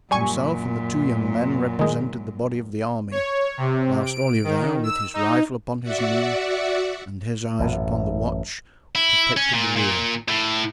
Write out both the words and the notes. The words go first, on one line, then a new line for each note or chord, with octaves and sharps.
Himself and the two young men represented the body of the army, whilst Olivain, with his rifle upon his knee and his eyes upon the watch, protected the rear.
F#2 A#2 G3 G#5 C#6
D#3 G#3
C#5
C3
D7
D#3
E6
D#4
F#4 D5 E5 F#5
A1 F#2
E4
C#4
A#2
A#2
A2